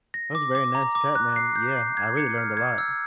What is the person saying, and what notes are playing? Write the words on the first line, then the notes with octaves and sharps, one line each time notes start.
That was a very nice chat, man. Yeah, I really learned a lot.
A#6
D6
D6
A#5
D6
F#6
C7
G6
C7
G#6
C#7
F6
G#6
E6